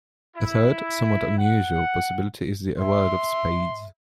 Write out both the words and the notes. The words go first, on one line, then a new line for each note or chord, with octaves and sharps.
A third, somewhat unusual possibility is the award of "spades".
E4
F#5
E5 C6